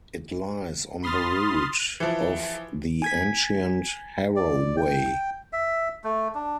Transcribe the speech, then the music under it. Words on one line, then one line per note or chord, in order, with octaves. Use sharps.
It lies on the route of the ancient Harrow Way.
B5 C6 D#6 F6 A6
E3 F3
G#5 G#6 B6
D5
G5
E5
A3
D4